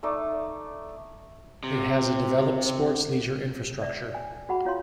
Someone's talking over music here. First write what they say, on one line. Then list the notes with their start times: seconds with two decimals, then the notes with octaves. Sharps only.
It has a developed sports-leisure infrastructure.
0.03 A3 D#4 D5
1.64 C3
3.82 D5 E5 D6
4.15 G#5
4.49 F#4 G#4 F#5 B5
4.65 F4 C#5 F5 C6